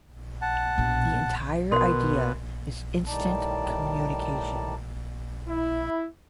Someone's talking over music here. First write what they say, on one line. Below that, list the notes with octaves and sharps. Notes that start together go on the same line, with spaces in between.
The entire idea is instant communication.
F#5 A5
A#1 B2
B2 A#4 C6
A2 D#3 G3 D#4 D5 A5
E4